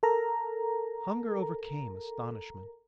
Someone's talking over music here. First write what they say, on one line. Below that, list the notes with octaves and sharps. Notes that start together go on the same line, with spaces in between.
Hunger overcame astonishment.
A4 A#4 A#5